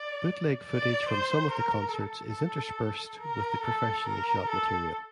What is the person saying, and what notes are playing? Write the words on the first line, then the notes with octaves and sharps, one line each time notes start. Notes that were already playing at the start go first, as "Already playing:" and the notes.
Bootleg footage from some of the concerts is interspersed with the professionally shot material.
Already playing: D5
D5
C5
A#4
A4
A#4
A4
A#4
A4